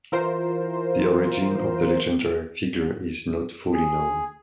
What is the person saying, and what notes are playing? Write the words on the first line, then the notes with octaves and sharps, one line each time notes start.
The origin of the legendary figure is not fully known.
E3 F4 A#4 C5
G#4